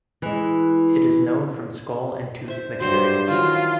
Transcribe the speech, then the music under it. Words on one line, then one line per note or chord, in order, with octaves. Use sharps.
It is known from skull and tooth material.
E3 G#3
C5 E5
G2 F#3 G3 C5
D#3 E3 F#3 F4